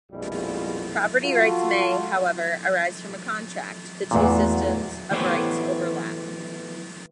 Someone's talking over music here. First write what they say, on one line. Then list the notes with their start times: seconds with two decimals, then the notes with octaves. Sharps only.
Property rights may, however, arise from a contract; the two systems of rights overlap.
0.11 A#1 F2 B2 G3 G#3 E4
1.23 F4 F#4 A4
4.11 E2 A#2 E3 A3 F#4
5.11 E3 A3 B3 G4 C5 C#5